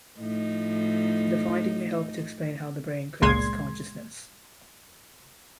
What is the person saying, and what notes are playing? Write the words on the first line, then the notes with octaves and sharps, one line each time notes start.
The finding may help to explain how the brain creates consciousness.
A2 F3 D#4
G1 C#2 A#2 G#3 C6 G#6